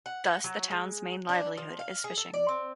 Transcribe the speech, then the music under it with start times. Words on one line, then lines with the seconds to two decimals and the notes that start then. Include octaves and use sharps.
Thus, the town's main livelihood is fishing.
0.06 F#5
0.24 F#5
0.44 F#3
0.71 G#3
1.29 D4
1.57 F3
1.79 F5
2.04 G#4
2.17 A4
2.34 D5
2.49 C4